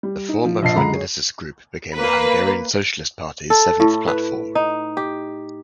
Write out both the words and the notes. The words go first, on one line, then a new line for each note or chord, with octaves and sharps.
The former Prime Minister's group became the Hungarian Socialist party's seventh platform.
G3
D#4
F3
A#1 D#5 A5 C7
C#2 D3 G#3 A#5 B5
G#4 C#5
A#3 B4
A4
A2
B4
D#4
G4